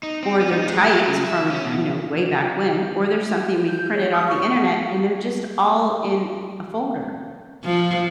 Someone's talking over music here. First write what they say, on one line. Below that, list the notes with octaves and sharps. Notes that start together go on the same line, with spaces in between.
or they're typed from, you know way back when, or they're something we've printed off the internet, and they're just all in a folder,
D#4
C4
B3
D#4
G#3
F#3
C#3
E5
C#4
B2
G6
C#5
D#6
C#6
F#5
F3